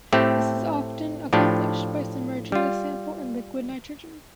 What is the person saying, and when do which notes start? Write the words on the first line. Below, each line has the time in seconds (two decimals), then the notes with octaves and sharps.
This is often accomplished by submerging a sample in liquid nitrogen.
0.13 A2 A3 C4 G4
1.33 A2 F3 D4 G4
2.52 G3 F4